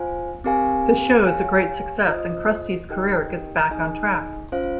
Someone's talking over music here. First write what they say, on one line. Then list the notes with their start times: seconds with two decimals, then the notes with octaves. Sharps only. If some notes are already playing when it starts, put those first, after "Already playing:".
The show is a great success and Krusty's career gets back on track.
Already playing: F4 C5 F5 G#5
0.44 C4 G4 A#4 F5 G#5
1.26 G4 C#5 F5 G#5
2.08 F4 C5 D#5
2.89 D#4 G4 A#4 D#5 G5
3.71 D#4 G#4 D#5 G#5
4.52 C#4 F4 C5 F5